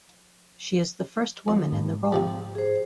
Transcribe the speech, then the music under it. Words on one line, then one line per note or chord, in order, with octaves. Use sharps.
She is the first woman in the role.
F2
G#2
C3 F3 G3
G#4 C5